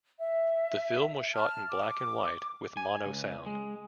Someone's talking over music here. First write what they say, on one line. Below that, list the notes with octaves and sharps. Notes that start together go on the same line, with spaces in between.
The film was shot in black and white with mono sound.
E5
A5 F6
D6
G#5
C#2
G#3